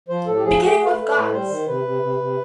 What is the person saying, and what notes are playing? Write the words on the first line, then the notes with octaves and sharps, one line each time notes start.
Beginning with Guards!
F3 C5
A2 A4
G4
F3 G#4
A3 G#4
A3
B4
A3
B4
A2
G3 C5
D#3
C3 B4
C3
C3
C3